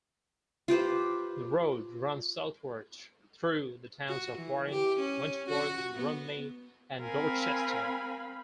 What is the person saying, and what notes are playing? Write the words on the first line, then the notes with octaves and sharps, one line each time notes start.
The road runs southward through the towns of Warren, Wentworth, Rumney, and Dorchester.
F4 G4 B4 C5
F#4
E3
G4
C#4
F#4
B3
C4 A#4 F5 G#5 B5